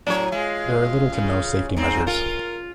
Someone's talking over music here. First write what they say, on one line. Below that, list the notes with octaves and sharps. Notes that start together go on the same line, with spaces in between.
There are little to no safety measures.
A2 F#3 D4 C#5
G#3 F4
C#3
G#2 C4
F4 A#4